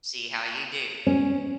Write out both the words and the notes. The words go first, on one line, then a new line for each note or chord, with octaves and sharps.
See how you do.
C#4